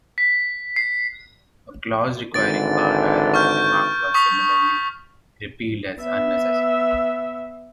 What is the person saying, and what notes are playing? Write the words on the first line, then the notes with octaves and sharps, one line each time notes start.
A clause requiring bar iron to be marked was similarly repealed as unnecessary.
B6
C7
G#1 D3 E3 A6 D7
C#6 F6 G6
C#6 D#6 B6
B3 E5